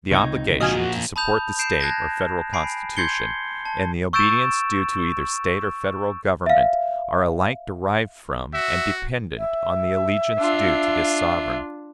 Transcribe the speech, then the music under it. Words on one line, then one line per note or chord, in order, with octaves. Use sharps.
The obligation to support the State or Federal Constitution and the obedience due to either State or Federal Government are alike derived from and dependent on the allegiance due to this sovereign.
C#2 C3 D#4 C#6 G#6
A#2 F3 F#4 D#5 F5 G#5
A5 B5 D#6 G6 F7
G6 C7 D7 E7
A5 F#6 G#6 A#6
G#5 B5 C7 D7
C6 G6 G#6 C7 C#7 G7
A5
C#6 E6 G6 A6 D7 E7
E5 F5
F#4 E5
E5
D4 F4